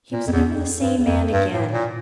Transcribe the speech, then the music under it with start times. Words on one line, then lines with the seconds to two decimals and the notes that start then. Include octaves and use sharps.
He was never the same man again.
0.12 A#2
0.27 F2
0.32 E2
0.52 F2
0.78 G2
0.98 E2
1.04 F2
1.31 G2
1.52 A2
1.71 A#2